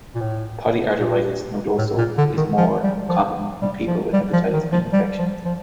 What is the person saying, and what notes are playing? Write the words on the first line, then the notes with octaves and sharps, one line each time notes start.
Polyarteritis nodosa is more common in people with hepatitis B infection.
A#2
A2
A#2
A2
A#2
D3
D#3
F3
G3
F3
G3
F3
G3
F3
D#3
F3
G3
F3
F3